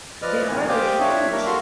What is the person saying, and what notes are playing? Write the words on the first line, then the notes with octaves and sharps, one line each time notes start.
They are, they're huge.
F3 B4 D5 D#5 F6
G#2 C3 D#3 G#5
G4 C5 F5 G5 D6 D#6
D4 C#5 E5
G3 A#3 A#4 E5
F#4 A4 F5 C6